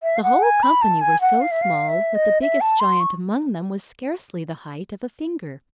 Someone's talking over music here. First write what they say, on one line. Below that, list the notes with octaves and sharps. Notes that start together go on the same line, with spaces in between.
The whole company were so small, that the biggest giant among them was scarcely the height of a finger.
E5
F5
F#5
G#5
B5
A5
G#5
F#5
F5
E5
F5
E5
D#5
E5
A5
C6
C#6